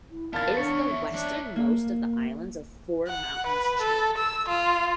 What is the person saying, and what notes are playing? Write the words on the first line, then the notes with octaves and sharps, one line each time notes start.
It is the westernmost of the Islands of Four Mountains chain.
E4
E2 B3 A#4 F5 A5 A6
D4 C#5 C#7
E5
A#3 D4 C#5
A#3
F#5
B4
A4
E6
F4